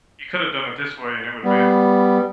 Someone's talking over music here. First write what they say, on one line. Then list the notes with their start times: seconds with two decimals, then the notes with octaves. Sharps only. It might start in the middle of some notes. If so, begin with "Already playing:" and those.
You coulda done it this way, and it would’ve been"
1.44 G3 B3